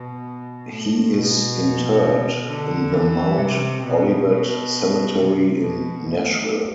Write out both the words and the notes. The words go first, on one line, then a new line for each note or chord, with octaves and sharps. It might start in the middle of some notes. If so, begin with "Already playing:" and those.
He is interred in the Mount Olivet Cemetery in Nashville.
Already playing: B2
A2
B2
D3
E3
C3
B2
B2
C3
B2
A2